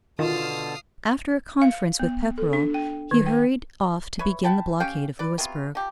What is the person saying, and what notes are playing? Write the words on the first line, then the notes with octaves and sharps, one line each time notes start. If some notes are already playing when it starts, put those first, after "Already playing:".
After a conference with Pepperrell he hurried off to begin the blockade of Louisbourg.
B2 D3 D#3 F4 F5 A5 D#6
F5
B3
A4
D4
G5
D#3
G5
B4 C#5 E5
F#5 G5 A5 B5
C#4 G4 F5 G5
B4 D5
C3 F#3 B3 F4
F3 G4